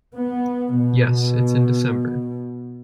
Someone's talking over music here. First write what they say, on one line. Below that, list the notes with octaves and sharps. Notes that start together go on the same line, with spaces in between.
Yes, it's in December.
B3
B2